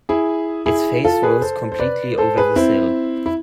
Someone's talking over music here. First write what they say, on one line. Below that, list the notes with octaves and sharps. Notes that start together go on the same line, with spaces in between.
His face rose completely over the sill.
E4 G#4
E4 G#4
F4 A4
G#4 B4
A4 C5
C5
B4 D5
A4 C5
G#4 B4
C4 E4
E4